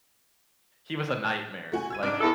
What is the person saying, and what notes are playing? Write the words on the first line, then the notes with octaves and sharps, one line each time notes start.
he was a nightmare, like,
A3 F#4 G#5
E6 G#6 D#7
G#2 D4 D6 F6
E2 E4 A4